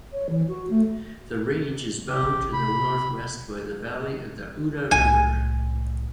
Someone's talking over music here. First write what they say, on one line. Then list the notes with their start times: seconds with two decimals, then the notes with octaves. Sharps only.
The range is bound to the northwest by the valley of the Uda river.
0.13 C#5
0.30 E3
0.48 F#4
0.70 A3
2.08 C3 G4
2.23 A1
2.53 C3 B5
4.91 C2 A2 G#5